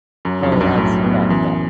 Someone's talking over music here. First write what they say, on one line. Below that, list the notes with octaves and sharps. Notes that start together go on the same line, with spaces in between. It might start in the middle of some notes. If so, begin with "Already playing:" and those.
Oh, I see, got it, got it.
F#2 F#3
F2
B1 G2
F#2
F#2 A2
B3
F#2 E3